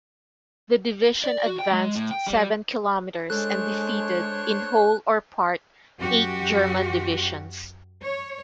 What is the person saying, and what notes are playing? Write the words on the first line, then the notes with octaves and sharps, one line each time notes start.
The division advanced seven kilometers and defeated, in whole or part, eight German divisions.
D5
F#4
G5
G#3
A2
G5
G3
G#3 D4 A4 C5 C#5 F#6
F#2 F#4 G4
C#5